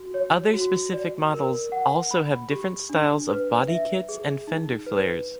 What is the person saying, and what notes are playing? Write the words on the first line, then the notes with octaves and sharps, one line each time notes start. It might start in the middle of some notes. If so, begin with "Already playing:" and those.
Other specific models also have different styles of bodykits and fender flares.
Already playing: F#4
C#5
F#4
D5
A#4
F#5
B5
G4
D4
B4
E5
G#4
D#4
B4